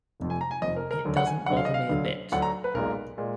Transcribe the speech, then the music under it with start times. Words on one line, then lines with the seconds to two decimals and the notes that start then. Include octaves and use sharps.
It doesn't bother me a bit.
0.20 F1 F2 F3
0.30 G#5
0.41 A#5
0.51 G#5
0.61 F1 F2 F3 D#5
0.76 A#4
0.91 A#4
1.05 D2 D3 F#3 D4
1.17 F#5
1.26 G#5
1.46 D2 D3 F#3 D4 F#5
1.57 F5
1.65 D#5
1.74 F5
1.89 D2 D3 F#3
2.32 D2 D3 F#3 F#5
2.42 A#5
2.64 B4
2.74 B1 A#2 G#3 A#4
3.18 A#2 G#3